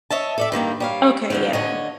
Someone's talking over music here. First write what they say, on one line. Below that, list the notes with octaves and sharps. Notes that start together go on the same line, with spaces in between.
Okay, yeah.
C#5 D#5 E5 A5
A4 D5 E5
G2 D#3 A#3 D#4
G3 C#5 F5
F2 D3 D#3
D3 C#5 D#5